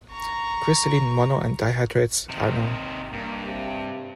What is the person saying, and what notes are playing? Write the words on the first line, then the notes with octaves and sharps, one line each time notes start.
Crystalline mono- and di-hydrates are known.
A#5 C#6
C3 D#3
G2 A#3
C3